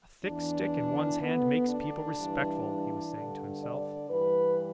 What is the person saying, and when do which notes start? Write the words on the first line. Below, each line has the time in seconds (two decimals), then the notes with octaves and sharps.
"A thick stick in one's hand makes people respectful," he was saying to himself.
0.23 E2 E3 D4
1.20 D2 D3 B3
1.68 D4
2.17 G2 E3
3.13 G2 D3
3.61 D5
4.09 G2 E3 B4